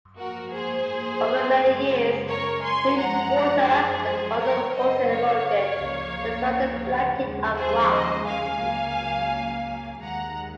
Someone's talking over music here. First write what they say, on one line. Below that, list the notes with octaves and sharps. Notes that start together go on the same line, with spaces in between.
Over many years, wind, water and other forces eroded the surrounding blanket of rock.
G#2 F3 A#3 F#4 A#4
G#4 C5
F#2 C#3 G#3
A#4 C#5
G#5 C6
F#2 F3 G#3 F#5 A#5
G#4 C5
F#2 C#3 F#3 A#4 C#5
C5 D#5
C#5 F5
C#2 C#3 F3 A#3
D#2 C#3 F3 G#3
G#4 C5
C5 D#5
F5 G#5
C#2 C#3 F#3 A#3
D#2 D#3 G#3 F#5 A#5